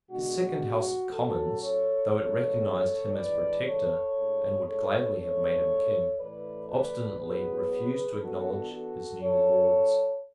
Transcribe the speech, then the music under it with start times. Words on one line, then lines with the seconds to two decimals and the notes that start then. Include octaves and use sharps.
His second House of Commons, though it recognised him as Protector, and would gladly have made him King, obstinately refused to acknowledge his new Lords.
0.10 B2 G#3 D4 F#4
1.11 A2 F#3 C#4 F#4 A4
1.62 A4 C#5
2.12 C#3 E3 G#3 B3 D4 A4 C#5
3.14 A2 E3 G#3 D4 B4 D5
3.65 A4 C#5
4.16 A2 G#3 D4
4.66 A4 C#5
5.17 C#3 G#3 D4 A4 C#5
6.17 A2 E3 A3 B4 D5
6.69 B4 D5
7.19 A2 F#3 B3 G#4 B4
8.20 E3 B3 D4 F#4 A4
8.71 F#4 A4
9.22 C#3 F#3 C#4 A4 C#5